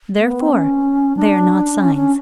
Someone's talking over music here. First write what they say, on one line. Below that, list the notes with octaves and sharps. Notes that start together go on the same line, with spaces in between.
Therefore they are not signs.
A#3
B3
C4
C#4
D4
C#4
C#4